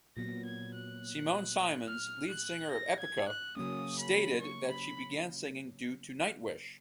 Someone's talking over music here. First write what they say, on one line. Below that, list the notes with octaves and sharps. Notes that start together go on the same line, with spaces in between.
Simone Simons, lead singer of Epica, stated that she began singing due to Nightwish.
A#2 F#3 B3 A#6
G#6
F#6
F6
F#6
A#6
G#6
F#6
C#3 F#3 A#3 C#4 D#6
B5
C#6
B5